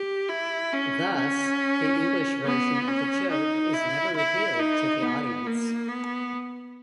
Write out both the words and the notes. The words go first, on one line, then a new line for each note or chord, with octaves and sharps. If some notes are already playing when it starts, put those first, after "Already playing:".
Thus, the English version of the joke is never revealed to the audience.
Already playing: G4
E4
C#4
C#4
B3
C#4
D#4
E4
E4
D#4
B3
A#3
B3